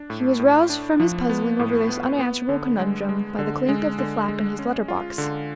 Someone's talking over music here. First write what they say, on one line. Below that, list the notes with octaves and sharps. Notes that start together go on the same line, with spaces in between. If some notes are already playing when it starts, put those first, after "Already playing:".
He was roused from his puzzling over this unanswerable conundrum by the clink of the flap in his letter-box.
Already playing: D4
A2
A2
D4
F3
B3
A2
B3
B3
D3
G#3
G#3
D3
G#3
D3
G#3
C#4
F4
D3